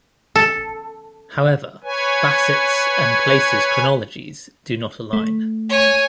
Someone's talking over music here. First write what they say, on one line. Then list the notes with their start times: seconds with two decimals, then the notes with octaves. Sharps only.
However, Bassett's and Place's chronologies do not align.
0.36 A4
1.84 B4 C#5 G#5
5.13 A3
5.69 C#5 G#5